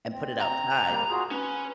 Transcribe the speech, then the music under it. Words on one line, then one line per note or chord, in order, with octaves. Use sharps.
and put it outside,
C4
A#5
D2 G3 A#3
F4 F#4 G#4
C#4 B4